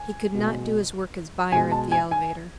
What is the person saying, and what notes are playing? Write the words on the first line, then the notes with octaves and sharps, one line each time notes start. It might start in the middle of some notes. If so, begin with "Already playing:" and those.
He could not do his work as buyer at the elevator.
Already playing: G#5
B2 G#3
B2 G#3 G#5
A5
G#5
G#5